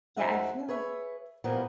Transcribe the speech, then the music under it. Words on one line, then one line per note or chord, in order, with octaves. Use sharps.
Yeah, I feel like
F#2 D#3 F3 D#4 E5 F#5
G#4 B4 C#5 E5
A#2 E3 F3 G3 A#3 B3